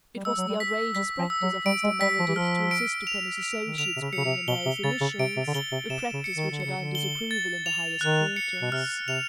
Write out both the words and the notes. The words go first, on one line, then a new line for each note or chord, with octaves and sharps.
It was the outrageous practice of Mr. Meredith to insist upon his associates calling him by his initials, a practice which had earnt disapproval in the highest quarters.
G3
G#3 E6
F#3
G3
B6
G3 B6
F3
E6
F#3
G3 D7
G#3
G3 B6
F3
E3
F3 F6
D7
F7
F7
D#3
D3 F7
C3
C#3
C#3 C#7
C3
B2 G7
C3
C#3 A6
C#3
C3 D7
C3
D3
C#3 G7
C3
C3 E7
C#3
C#7
D#3
D3
C#3 C#7
D3
G7
A6
F7
D#3 F#6
C#7
B2
C3 F6
C3 F7